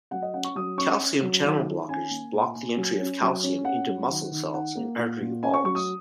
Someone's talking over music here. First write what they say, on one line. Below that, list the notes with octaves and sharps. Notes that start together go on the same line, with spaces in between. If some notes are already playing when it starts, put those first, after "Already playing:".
Calcium channel blockers block the entry of calcium into muscle cells in artery walls.
F#3 F#5
D#5
C#4 F#5
C#6
F#3 D#6
C#4 C#6
C#4
F#3
D#3
D#3
C#4 G#5
A#3
A#2
A#2
F#3
C#4
F#3
C#4
C#4 F#5
F#3
D#3
D#3
D#4 F#5
A#3
A#2
A#2
C#4 G#5
C#6
F#3 C#6
D#6